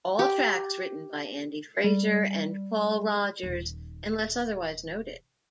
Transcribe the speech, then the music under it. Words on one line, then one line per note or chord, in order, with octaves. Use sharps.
All tracks written by Andy Fraser and Paul Rodgers unless otherwise noted.
G4
G3
D#1 D#3